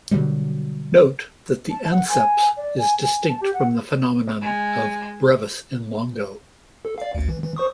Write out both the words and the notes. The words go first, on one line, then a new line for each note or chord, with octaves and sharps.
Note that the anceps is distinct from the phenomenon of "brevis in longo".
B2 D3 F#3 G3
A5
F#5
G#5
D5
G#5
G#5
A5
G4
F#5
G#3
A4
D5 F5
A1 D2
E3
E3
C5 C#6 D#6